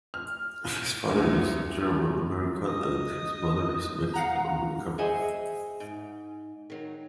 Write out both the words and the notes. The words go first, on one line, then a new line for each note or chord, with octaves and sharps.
His father is German American and his mother is Mexican American.
F6
D2
D#5
F5 F#5 A#5
G#4 C5 D#5 E5 F#5 G#5
G#2
D#3 F#3